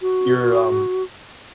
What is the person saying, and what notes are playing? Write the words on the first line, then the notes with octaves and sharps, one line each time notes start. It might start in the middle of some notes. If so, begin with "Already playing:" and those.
you're, um,
F#4